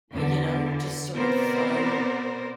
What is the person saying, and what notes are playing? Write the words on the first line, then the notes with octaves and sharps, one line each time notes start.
Eh, you know, just, sort of, um
E2 D3
B2 B3 C4 A#4 C5 D5